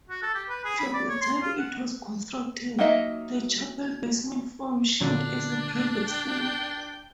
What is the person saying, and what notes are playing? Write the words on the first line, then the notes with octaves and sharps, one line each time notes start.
From the time it was constructed, the chapel basement functioned as a private school.
F#4
A4
G4
B4
G#4
B5
D5
C#5
C6
F4
F#5
F#3 A#3 D#4 D#5 E5
A#2 D3 F#3 D4
G5